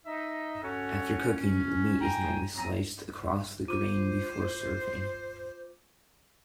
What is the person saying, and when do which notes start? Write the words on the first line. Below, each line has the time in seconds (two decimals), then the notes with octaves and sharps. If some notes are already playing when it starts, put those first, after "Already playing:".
After cooking, the meat is normally sliced across the grain before serving.
0.06 D#4 D#5 E5
0.62 C#4 F#4 A4 C#5 F#5 G#5
1.34 C#4
2.01 G5 G#5 A#5
2.56 F#3 B3 C4 G#5 A#5
3.68 F4 C5 D6 D#7